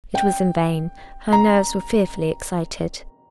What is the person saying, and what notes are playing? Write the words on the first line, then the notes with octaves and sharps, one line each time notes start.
It was in vain--her nerves were fearfully excited.
G5
A#5